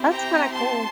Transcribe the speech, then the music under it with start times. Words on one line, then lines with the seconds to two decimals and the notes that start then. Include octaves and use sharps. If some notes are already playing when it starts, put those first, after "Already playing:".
That's kinda cool.
Already playing: C4 E4 G4
0.12 G5 A#5
0.54 A5 C6